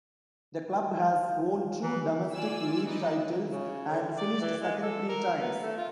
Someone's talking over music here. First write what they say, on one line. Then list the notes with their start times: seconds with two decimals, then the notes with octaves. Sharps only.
The club has won two domestic league titles and finished second three times.
1.83 E3
2.33 F4 D5 G#5 E6
2.84 E3 B3 D#4 D5 D#5
3.50 C#3
3.89 D3
4.17 D5
4.41 E3
4.61 G#3
4.82 A4
5.09 A#4
5.40 B3
5.61 A3
5.77 F4